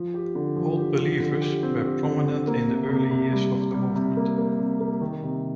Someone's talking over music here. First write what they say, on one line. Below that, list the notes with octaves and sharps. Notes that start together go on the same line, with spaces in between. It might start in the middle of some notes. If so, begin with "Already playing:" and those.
Old Believers were prominent in the early years of the movement.
Already playing: F3
G4
D3
F3
G4
F3
D3
G4
C4
G4
D3
C4
A#3
C3
C3
C3
G3
C3
G3
C3
A#3
A#3
C3
A#3
D#3
C3